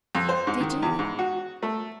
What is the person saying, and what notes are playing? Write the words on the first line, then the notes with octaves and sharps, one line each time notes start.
Did you?
F2
C5
G#2
D#3
E2
G#2
F#4
A3